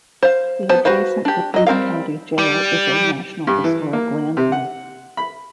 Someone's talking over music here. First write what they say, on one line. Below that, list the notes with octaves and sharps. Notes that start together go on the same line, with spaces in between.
The adjacent Dubuque County Jail is a National Historic Landmark.
C5 F5
B3 C5 A5
F#4 B4 C5 F5
D4 G4
F#3 D#5
G3 C4 A#4 F5
G3
G2
E3
A#3
C3
F#5
B5